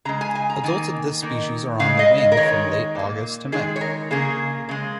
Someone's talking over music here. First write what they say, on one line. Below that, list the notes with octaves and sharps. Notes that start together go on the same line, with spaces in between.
Adults of this species are on the wing from late August to May.
C#3 G#3 A#5
G#5
G#5
A#5
D#3 A#3 G#5
D#3 A#3
C#3 G#3 F5
D#5
D#5
A#4
D#3 G#3 C#5
A#2 A#3
D#3 G#3 G#4
C#5
A#4
C#3 A#3 G#4
C#3 G#3